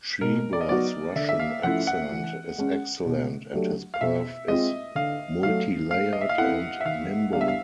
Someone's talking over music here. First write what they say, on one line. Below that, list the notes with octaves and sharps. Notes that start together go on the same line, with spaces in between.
Trebor's Russian accent is excellent, and his perf is multilayered and nimble.
B2 A#4
D5
D#5
F#3 B3 D#4 F#4 D5
D3 E5
E5
F5
F3 A3 C#4 E4 F#5
F#5
E3
G#3 C#4
B2
F#3 A3 D4 G4
F5
B2 E5
G#3 C4 F4 D#5
D3 F5
F#3 A3 F5
A3 F5
D#5
E5
F5
C4 E4 A4 F#5
E5
D#3 F5
G3 B3 D4 G4 F5
E5
F5